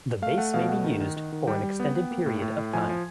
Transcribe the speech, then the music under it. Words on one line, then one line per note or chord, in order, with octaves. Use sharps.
The base may be used for an extended period of time.
A3 F5
A3 F#5
B2 F5
A3 F#5
D#3
D#3
D#3
D#3
G3 G5
G3
B3
B3
A#3
A2
A2
A2
F3 G#5
F3